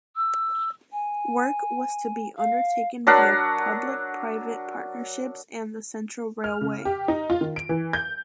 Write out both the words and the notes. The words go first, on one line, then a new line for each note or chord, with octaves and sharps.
Work was to be undertaken via public–private partnerships and the Central Railway.
E6
G#5
F5
F#3 D4 A#4 F#5
F6
C#3
G4
D#4
F4
D#3
D7
E3
G6